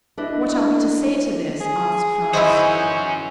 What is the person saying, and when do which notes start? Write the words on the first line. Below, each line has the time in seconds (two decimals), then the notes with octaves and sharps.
"What are we to say to this?" asked Franz.
0.17 D4 E4 B4 D#5
1.61 G#4
2.33 E3 C#4 D#4 E4 F#4 C5 D#6